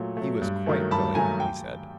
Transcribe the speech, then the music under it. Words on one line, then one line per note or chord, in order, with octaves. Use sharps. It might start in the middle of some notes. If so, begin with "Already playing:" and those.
He was quite willing, he said.
Already playing: A#2 F#3 A3
F#3 A3
G2
D#3 F#3 A3
G2 A5 B5
D#3 F#3 A3 G#5 A#5
G5